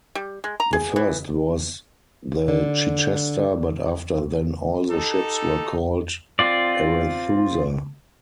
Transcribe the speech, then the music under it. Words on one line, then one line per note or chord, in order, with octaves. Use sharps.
The first was the Chichester, but after then all the ships were called Arethusa.
G3
G#3
A#5
G#4
E3
D3 D5
D#4 G4 A4
C4 F4 D5